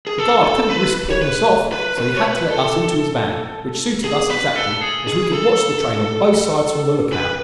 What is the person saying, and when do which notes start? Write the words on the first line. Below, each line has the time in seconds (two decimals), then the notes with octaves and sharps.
The guard couldn't risk putting us off, so he had to let us into his van, which suited us exactly, as we could watch the train on both sides from the look-out.
0.07 G#4
0.18 A4
0.44 A4
0.69 B4
1.10 C#5
1.22 B4
1.72 B4
1.98 B4
2.17 C#5
2.24 B4
2.50 A4
4.04 G#4
4.30 B4
4.56 A4
4.81 G#4
5.07 G#4
5.33 A4
7.13 B4